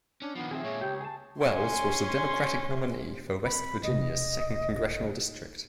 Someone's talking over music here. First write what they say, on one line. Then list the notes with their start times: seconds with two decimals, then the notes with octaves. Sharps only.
Wells was the Democratic nominee for West Virginia's Second Congressional District.
0.22 C#4 D4
0.35 D#3 F3 B3
0.51 C4 G#4 E5
0.64 A#2 G#3 C#5
0.81 C#2 G4
1.01 G#4 A5
1.41 C#4 G#5 C6
3.45 C4 B5
3.83 E1 C3 D#5
5.02 D#4